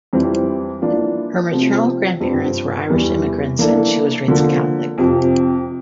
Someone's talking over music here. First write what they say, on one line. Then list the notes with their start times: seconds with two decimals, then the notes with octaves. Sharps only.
Her maternal grandparents were Irish immigrants, and she was raised Catholic.
0.13 F2 E3 G3 C4
0.82 E3 A#3 D4 F4
1.52 C3 F3 A3 C4 F4
2.21 G2 F3 C4
2.89 E2 E3 G3
3.59 E3 A#3 D4 A4
4.28 D3 F3 A#3
4.98 F2 C3 F3